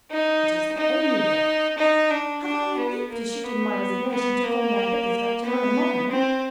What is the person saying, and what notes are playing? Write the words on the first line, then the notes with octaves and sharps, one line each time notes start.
It is the only way. Have I your leave to shoot in my resignation to Comrade Bickersdyke tomorrow morning?'
D#4
D#4
D#4
D4
D4
B3
A#3
B3
B3
A#3
B3
C4